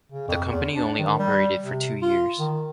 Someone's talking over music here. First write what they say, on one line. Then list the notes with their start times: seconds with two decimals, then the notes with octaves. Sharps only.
The company only operated for two years.
0.12 C#3
0.28 F2
0.49 E2
0.76 D4
0.99 D#3
1.19 G3
1.62 C3
2.02 F4
2.39 D#3